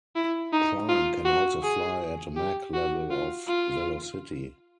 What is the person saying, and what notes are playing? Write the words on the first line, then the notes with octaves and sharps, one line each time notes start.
Prime can also fly at Mach-level of velocity.
E4
D#4
F4
F#4
G#4
G4
F#4
F4
F4